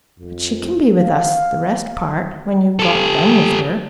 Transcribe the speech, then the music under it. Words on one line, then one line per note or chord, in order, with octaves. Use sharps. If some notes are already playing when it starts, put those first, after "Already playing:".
"But she can be with us the rest part, when you've got done with her."
F2
F5
G4 A4